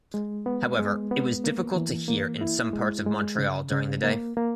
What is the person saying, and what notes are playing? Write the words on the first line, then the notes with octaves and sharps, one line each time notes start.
However, it was difficult to hear in some parts of Montreal during the day.
G#3
B3
G#3
B3
A#3
E3
A#3
E4
G#3
G#3
C#3
C#3
A#3
A#3